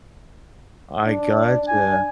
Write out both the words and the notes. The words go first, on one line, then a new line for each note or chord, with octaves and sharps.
I gotcha.
D4
D4 G#5